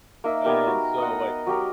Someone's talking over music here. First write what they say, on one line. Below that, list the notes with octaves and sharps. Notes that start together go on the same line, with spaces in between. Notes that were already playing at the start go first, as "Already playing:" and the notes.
And so, like,
A#3 D#4 E5
B3 D#4 G4 A#4
F#4
D#5 F5 F#5
F#3 G4 A#4